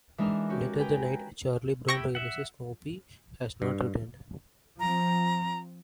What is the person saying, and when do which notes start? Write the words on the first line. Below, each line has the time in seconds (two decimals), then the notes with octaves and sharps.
Later that night, Charlie Brown realizes Snoopy has not returned.
0.18 E3 G#3 D4 D#4 A#4
0.49 C#4 F#4 G4
0.79 B4 G5 G#5 A#5
1.88 E4 G4 G5 C#6 A#6
2.15 E5 F#5
3.62 G2
4.80 F3 C4 A#5